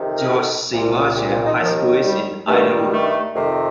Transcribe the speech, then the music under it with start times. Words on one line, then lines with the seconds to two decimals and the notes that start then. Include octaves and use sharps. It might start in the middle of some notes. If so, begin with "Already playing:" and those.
George C. Marshall High School is in Idylwood.
Already playing: F2 C3 D#3
0.17 A#4
0.27 A4
0.71 C2 A#2
1.16 G4
1.30 F4
1.44 D#4
1.59 D#2 D#3 F3
2.04 G3
2.47 G2 D#3 A3
2.91 A3
3.35 F2 C3 D#3